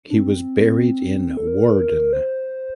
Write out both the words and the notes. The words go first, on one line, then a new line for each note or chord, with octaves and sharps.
He was buried in Woerden.
D4
C4
A4
A#4
C5